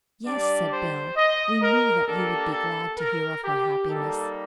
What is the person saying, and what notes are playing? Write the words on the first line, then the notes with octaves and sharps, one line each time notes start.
"Yes," said Bell; "we knew that you would be glad to hear of her happiness."
G3 D4 G4 D5
C5
D#5
A#4
A#3 D4 G4 A4
A4
A#4
G4
G3 A#3 D#4 A4